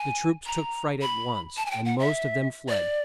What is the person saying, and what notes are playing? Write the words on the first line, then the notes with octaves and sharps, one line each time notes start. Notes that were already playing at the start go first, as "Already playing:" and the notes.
The troops took fright at once, and most of them fled.
Already playing: G#5
A#5
B5
A5
G#5
G5
F#5
E5
D5